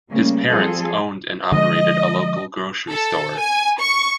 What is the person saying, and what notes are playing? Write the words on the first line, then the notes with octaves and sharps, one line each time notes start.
His parents owned and operated a local grocery store.
C#3 G3 A3 A#3
F3 G3 C4 F4 G#4 A4
D3 F3 G#3 D#5
A4
G#5
C#6